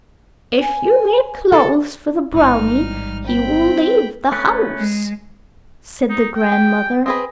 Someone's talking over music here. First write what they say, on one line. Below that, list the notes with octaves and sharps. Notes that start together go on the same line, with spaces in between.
"If you make clothes for the brownie, he will leave the house," said the grandmother.
G#5
A4
A1 G#2 G3 D#4 F6
C4 G5 B5
A3 C#4 B4
G#3
D#4
G5
G4
C4 G#4 B4 D#5